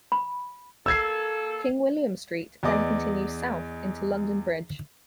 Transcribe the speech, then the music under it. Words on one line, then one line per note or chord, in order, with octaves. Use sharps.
King William Street then continues south into London Bridge.
B5
A#3 A4 E6 G#6 C7
E2 D5 D#5 D6